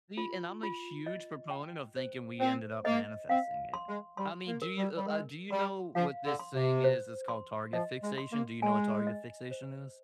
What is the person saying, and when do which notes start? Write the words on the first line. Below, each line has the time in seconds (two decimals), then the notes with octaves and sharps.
See, and I'm a huge proponent of thinking we ended up manifesting it. I mean, do you uh, do you know what this thing is? It's called target fixation. Do you know what target fixation is?
0.17 F4
0.63 F4
1.06 D#5
1.51 G5
1.96 C5
2.40 C4 C5
2.85 A#3 D#5
3.29 C4 F5
3.74 C6
3.88 G#3
4.17 G3 C6
4.47 A#3
4.62 A#4
4.77 G3
4.96 G3
5.06 G#3 A#4
5.51 G3 C6
5.95 F3 F5
6.25 D3
6.39 C6
6.55 C3
6.84 C5
7.28 C6
7.73 F3 D#5
8.03 G#3
8.18 C6
8.33 A#3
8.62 G#3 G#5
9.07 D#5
9.51 C5